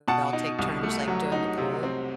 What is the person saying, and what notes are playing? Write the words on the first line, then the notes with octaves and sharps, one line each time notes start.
we all take turns, like, doing the pool.
B2 F#5 A5
D#4
C2
A3
F#3
D#4
C3
C4